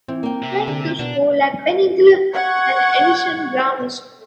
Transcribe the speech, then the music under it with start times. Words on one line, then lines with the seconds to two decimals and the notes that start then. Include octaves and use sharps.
He went to school at Penleigh and Essendon Grammar School.
0.08 E3 C4
0.23 A#3 G5
0.43 C3
0.68 D3
0.99 B2 D4
2.35 F#5 C#6 G#6